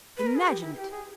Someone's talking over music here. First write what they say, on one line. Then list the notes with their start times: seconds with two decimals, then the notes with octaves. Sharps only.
Imagine it!
0.17 B4
0.27 A#4
0.36 G#4
0.46 G4
0.61 E4
0.76 G4
0.91 G#4